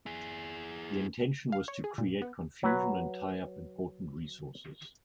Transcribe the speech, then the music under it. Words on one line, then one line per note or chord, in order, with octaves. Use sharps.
The intention was to create confusion and tie up important resources.
E4 G#4
F5
C#5
G#4
A#2
B3
F#3 B4